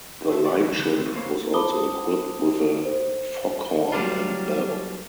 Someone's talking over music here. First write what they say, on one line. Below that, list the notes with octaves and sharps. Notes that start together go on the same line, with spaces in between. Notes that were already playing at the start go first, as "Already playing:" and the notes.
The lightship was also equipped with a foghorn and bell.
G#4 A4 E5
B3 D5
E3 F#3 G3 C#4 D4 F#4
D3 B3
A3 B3 C4
A#3 C5 C#5 F5
C5 A5 B5 D6 D#6 G7
C5
F#3 G3 A#3 D4 F4